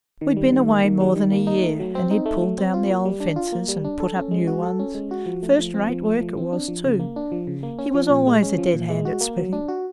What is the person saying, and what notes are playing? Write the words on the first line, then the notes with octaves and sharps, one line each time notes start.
We'd been away more than a year, and he'd pulled down the old fences and put up new ones--first-rate work it was too; he was always a dead hand at splitting.
D#3
G3
D#3
A#3
D#3
G3
D#3
A#3
D#4
A3
F#3
C4
D#4
A3
F#3
C4
F4
A#3
G3
D4
F4
A#3
G3
D4
A4
C#4
G#3
F#4
A4
C#4
G#3
F#4
F3
A3
F3
C4
F3
A3
F3
C4
D4
F3
C#3
A#3
D4
F3
C#3
A#3
C#4
F3
A#2
G#3
C#4
F3
A#2
G#3
F#4
A#3
F#3
D4
F#4